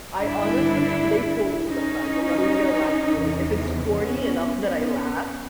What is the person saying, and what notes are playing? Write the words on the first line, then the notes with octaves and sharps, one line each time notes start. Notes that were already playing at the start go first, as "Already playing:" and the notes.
I, honestly they pull me sometimes. I'm not even gonna lie to you. Like, if it's corny enough that I laugh,
G2 D3 G3 D4 E4
C#4 D#4
E2 C3 E3
B3 C#4
B3 C#4